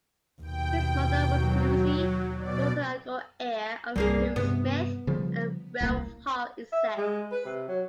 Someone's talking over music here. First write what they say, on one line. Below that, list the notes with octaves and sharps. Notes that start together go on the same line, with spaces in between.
His mother was Lucy, daughter and co-heir of Hugh Smith of Weald Hall, Essex.
D#2 B2 G5
F#3
B2 D5
C2 G2 G3 A#3 G#4
G2 C3 B3
C#3 F3 G3
D#1 C2 A#3
E5
G#3
B4
C3
F#3